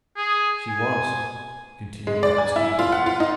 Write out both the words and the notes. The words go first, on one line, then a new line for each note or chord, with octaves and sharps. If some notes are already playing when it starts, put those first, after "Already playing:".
'She was,' continued the housekeeper.
G#4
G#5
G#3
D5
G#5
E4
F4
F#5
F4
D#4